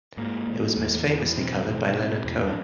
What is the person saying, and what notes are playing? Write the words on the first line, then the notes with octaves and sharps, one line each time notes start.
It was most famously covered by Leonard Cohen.
G#2 A#3
G#2
E2
E2
B2 C4
B2
C3
E2
D4